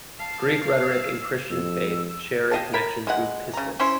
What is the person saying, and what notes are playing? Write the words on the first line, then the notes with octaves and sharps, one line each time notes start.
Greek rhetoric and Christian faith share a connection through pistis.
F5 A5
E6
F2 E6
G4 D#5 F5 A5
A#4 B5
G#3 E4 F#5
C#3 A#5
C#4 E4 C5 C#5